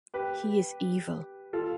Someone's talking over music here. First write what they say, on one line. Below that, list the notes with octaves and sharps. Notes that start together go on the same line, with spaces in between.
He is evil.
G4 B4
F4 A4